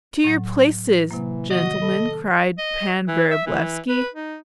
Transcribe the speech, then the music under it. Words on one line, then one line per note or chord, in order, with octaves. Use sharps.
"To your places, gentlemen," cried Pan Vrublevsky.
A2 F#3
C3 E3 F#3 A#3
D#3 F#4 D#5
A4 B5
D#5
E3
E5
E3
B4
D#4